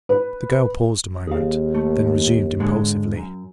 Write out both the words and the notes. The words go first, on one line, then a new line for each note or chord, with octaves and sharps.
The girl paused a moment, then resumed impulsively.
B4
D#2 G#4 F5
A3
G#2 D3 G#3
F#2